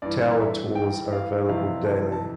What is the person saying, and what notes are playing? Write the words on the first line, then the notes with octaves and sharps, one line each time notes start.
Tower tours are available daily.
G2 E3 D5
E5
G5
F5
F2 C3 E3 F5
A5
A5